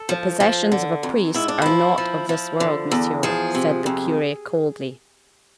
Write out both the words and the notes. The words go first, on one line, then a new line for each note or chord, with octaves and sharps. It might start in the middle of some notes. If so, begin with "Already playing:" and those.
"The possessions of a priest are not of this world, Monsieur," said the cure, coldly.
Already playing: A4
F3
F3
D3
F2
G#2 E4
D4
F3 E4
F3
F3
D3
E2
F3 G#4
C3
F2